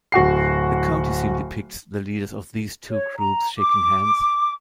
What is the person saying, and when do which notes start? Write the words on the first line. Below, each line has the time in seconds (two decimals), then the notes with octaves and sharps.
The county seal depicts the leaders of these two groups shaking hands.
0.12 D1 F#4 F#5 C7
2.91 C#5
3.17 A#5
3.59 D6